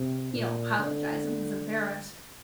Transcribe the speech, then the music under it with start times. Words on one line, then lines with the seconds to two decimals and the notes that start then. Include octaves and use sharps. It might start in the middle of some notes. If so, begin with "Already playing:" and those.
you know, apologized and was embarrassed.
Already playing: C3
0.34 A#2
0.79 D3